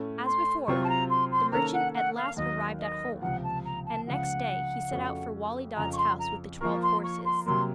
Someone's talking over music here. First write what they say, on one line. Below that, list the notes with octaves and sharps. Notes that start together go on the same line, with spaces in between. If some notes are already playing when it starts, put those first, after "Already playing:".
As before, the merchant at last arrived at home; and next day, he set out for Wali Dad's house with the twelve horses.
Already playing: A2 A3 C#4
C6
C3 F#3 C4 F4 C5 C#6
A5
A#5
C6
C6
D#3 A#3 C#4 A4 A#5
F#5
F#5
F5
D#2 D#3 F#3 D#5
D#5
C#2 C3 F3 F#5
A5
A#5
A5
C#2 C#3 F3 F#5
F2 C#3 A3 C#4 F#4
F2 C#3 F3 A#5
C#6
C6
A#5
F3 A#3 F4 A#4 C#6
C6
C#6
C6
C3 F#3 A#3 C6